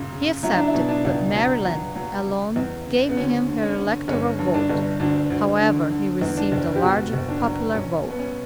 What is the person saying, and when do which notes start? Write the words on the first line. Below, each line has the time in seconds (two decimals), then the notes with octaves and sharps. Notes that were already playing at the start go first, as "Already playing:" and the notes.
He accepted, but Maryland alone gave him her electoral vote; however, he received a large popular vote.
Already playing: F#2 A#2 C#3
0.12 C#3
0.43 F#3 E4
0.55 D4
0.67 E4
0.74 B2
0.89 D4
1.05 C#2
1.34 F#3
1.65 F#3
1.95 F#3
2.26 C#3
2.56 E2
2.86 C#3
3.09 B3
3.17 D2 C#4
3.48 D3
3.63 C#4
3.78 D3
4.08 G1 C#4
4.39 G2
4.54 D4
4.69 G1
5.00 D2 D4
5.30 D2
5.61 D3
5.91 D3
6.21 E2
6.37 D4
6.52 F#1
6.76 G4
6.82 B2 F#4
7.13 F#1
7.28 D4
7.43 F#3
7.74 B1 C#4
8.05 B2
8.10 B3
8.19 C#4